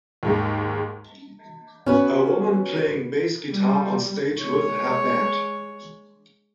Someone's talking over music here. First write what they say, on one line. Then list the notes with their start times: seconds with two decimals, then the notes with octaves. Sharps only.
A woman playing bass guitar on stage with her band.
0.23 D#2 G#2 G#3
1.86 B3 C#4 F#4 B4
3.51 G3
4.38 G#3 C#5